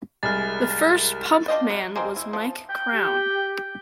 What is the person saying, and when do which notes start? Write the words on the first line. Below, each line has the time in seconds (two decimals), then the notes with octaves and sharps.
The first pumpman was Mike Crown.
0.23 C2 G#3 G#5 F6 A6
1.48 D4 F4 G4 D#5
1.70 F#3
1.96 G#3 A#3 C4
2.16 E4
2.33 F3
2.70 G5
2.93 G4